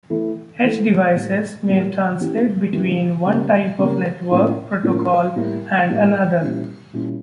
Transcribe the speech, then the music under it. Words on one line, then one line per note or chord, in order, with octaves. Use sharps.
Edge devices may translate between one type of network protocol and another.
E3 A3 E4 A4
E3 A3 E4 A4
A2 G3 A#3
A2 G3 A#3
E3 A#3 C#4 E4 G4
E3 A#3 C#4 E4 G4
C#3 G3 A#3
C#3 G3 A#3
A2 F3 A#3 C#4
A2 F3 A#3 C#4
A2 G3 A#3 E4
A2 G3 A#3 E4
A#2 G3 C#4 E4
A#2 G3 C#4 E4